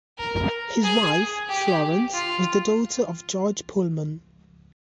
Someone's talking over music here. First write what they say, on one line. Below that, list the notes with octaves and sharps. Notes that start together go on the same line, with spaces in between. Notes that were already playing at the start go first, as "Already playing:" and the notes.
His wife, Florence, was the daughter of George Pullman.
A#4
G#4
G4
F4